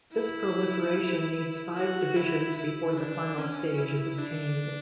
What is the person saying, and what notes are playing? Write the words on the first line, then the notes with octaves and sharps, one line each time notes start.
This proliferation needs five divisions before the final stage is obtained.
E4
F#4
E4
E4
D4
C#4
E4
D4